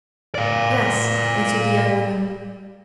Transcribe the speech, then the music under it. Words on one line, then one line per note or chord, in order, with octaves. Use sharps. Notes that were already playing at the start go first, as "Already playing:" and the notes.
"Yes," answered the young woman.
D5 F5